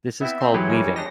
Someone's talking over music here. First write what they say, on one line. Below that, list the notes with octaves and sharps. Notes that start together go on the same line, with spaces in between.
This is called Weaving.
B3 C4 E4 E5
C4 C6
E3 F#3 E4 G4 G#4 B4 C#5
D#3 G3 G#3
D4 G4 D#5 A#6